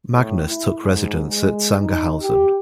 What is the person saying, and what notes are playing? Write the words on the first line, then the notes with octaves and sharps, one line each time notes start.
Magnus took residence at Sangerhausen.
A2
E4
G#2
G#3
D#4
G4